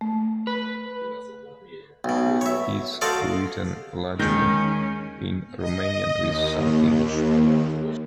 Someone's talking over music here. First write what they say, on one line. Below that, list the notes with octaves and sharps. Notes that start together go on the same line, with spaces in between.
It is written largely in Romanian with some English.
A3
B4
B1 B2
C#5 E5
F#4 A4 C5 D5 D#5 F5
D#2 D#3 G#3 C#4 G6 A#6
D#5
D#2